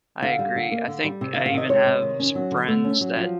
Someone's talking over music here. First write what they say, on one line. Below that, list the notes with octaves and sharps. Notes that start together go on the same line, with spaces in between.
I agree, I think I even have some friends that
D3 F5
G3
D3
A#3
D3
G3
C3
F5
D#3
F5
C3 D#5
G#3 C#5
C3
D#3
C#4
F#3
D3
A3
C#4
F#3
F3